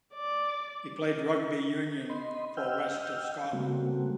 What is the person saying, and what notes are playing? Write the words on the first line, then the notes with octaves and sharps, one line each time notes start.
He played rugby union for West of Scotland.
D5
D#5 B5 C6
D#5 F#5 G5 E6 F6 G6
C#3 G3 A3 A#3 C4 F#4